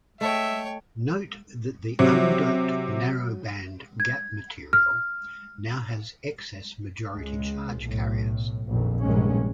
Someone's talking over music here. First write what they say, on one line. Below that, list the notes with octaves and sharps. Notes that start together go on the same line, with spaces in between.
Note that the undoped narrow band gap material now has excess majority charge carriers.
A3 C#5 D#5 E5 G5 A5
C3 F#3
G#6
F6
C#2 G#3
B1 A2
A#1 F2 D#3
A#1 G2 C3 D#3 G#3 C#4